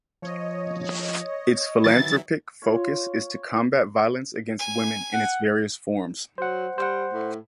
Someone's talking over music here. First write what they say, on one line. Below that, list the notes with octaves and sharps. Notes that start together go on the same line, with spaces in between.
Its philanthropic focus is to combat violence against women in its various forms.
F3 C#5 D#5
D#3 E3 F#3 E4 A6
F4 C#5
G#5
F#5
F#3 C5 F#5
G3 C5 F#5
A2